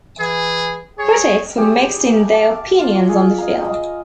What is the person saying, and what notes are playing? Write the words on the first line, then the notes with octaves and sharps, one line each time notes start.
Critics were mixed in their opinions on the film.
E3 G#4
G#4 C#5
G4 G#4 C#5
F5 A5 D6
F4
G#4 F5 C#6
D#5 F5 A#5
D#5